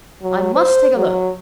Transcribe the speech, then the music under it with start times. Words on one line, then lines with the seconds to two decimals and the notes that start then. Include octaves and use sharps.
I must take a look.
0.23 F#3
0.55 C5
0.96 F#3